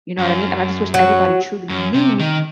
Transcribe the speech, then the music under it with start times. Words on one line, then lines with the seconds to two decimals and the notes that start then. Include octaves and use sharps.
You know what I mean? And I just wish everybody truly knew
0.19 F#2
0.94 F#3
1.69 F#2
1.94 C3
2.20 D#3